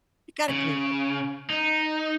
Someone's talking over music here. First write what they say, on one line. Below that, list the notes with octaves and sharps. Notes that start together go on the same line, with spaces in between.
You gotta give me one.
C#3
D#4